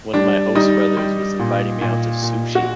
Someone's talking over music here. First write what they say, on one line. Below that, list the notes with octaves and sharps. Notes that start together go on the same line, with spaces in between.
one of my host brothers was inviting me out to sushi.
G3 D4
G3 D#4
G3
A#2
A#2
A#2
F#4